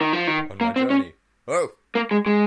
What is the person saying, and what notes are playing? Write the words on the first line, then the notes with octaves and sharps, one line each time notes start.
On my journey - oh!
D#3
F3
D#3
A#3
C4
C#4
A#3
G#3
G#3